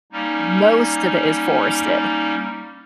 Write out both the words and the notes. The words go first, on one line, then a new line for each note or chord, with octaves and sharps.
most of it is forested,
G3 A#3 C#4 D#4